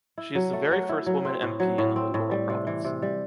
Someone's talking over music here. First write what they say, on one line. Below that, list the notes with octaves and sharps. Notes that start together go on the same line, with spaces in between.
She is the very first woman MP in the Littoral Province.
E4
F#3
A3
F#3
E4
F#3
C4
A2
F#3
A2
C4
A2
G3
C3
E3
C3
G3